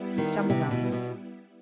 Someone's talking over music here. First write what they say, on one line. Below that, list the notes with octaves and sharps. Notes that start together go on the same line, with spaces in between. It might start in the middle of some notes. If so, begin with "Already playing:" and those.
He stumbled on.
Already playing: G3 B3 E4
D#3
C3
B2
B2